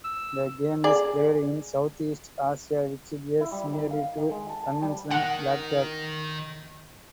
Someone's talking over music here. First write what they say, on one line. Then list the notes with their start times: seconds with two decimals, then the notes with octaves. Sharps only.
The game is played in South East Asia which bears similarity to conventional Blackjack.
0.04 E6
0.84 G#4 D5
3.40 E4
3.52 G3
3.73 D#3
3.91 F5
4.17 D#3
4.31 G#3
4.49 A5
4.64 A5
4.82 G3
5.11 D#3 F#5